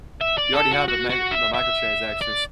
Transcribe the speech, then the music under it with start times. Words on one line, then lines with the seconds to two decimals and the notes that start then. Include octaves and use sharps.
you already have the meg the microtransactions,
0.21 E5
0.38 D5
0.54 A4
0.72 F#4
0.88 F#4
1.10 F#4
1.32 E5
1.54 E5
2.21 D5